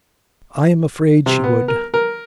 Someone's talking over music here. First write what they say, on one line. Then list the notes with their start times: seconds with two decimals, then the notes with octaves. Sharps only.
'I'm afraid she would.
1.26 C3
1.44 B3
1.68 A#4
1.94 A#4